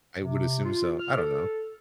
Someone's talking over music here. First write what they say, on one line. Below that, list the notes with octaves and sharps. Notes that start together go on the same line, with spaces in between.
I would assume so, I don't know.
C3
F4
F6
A4